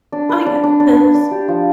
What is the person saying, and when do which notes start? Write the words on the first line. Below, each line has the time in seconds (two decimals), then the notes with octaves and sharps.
Oh, yeah, 'cause
0.12 D4
0.29 B4
0.46 D4
0.64 D4
0.80 D4
0.97 D4
1.14 D4
1.31 G4
1.48 F3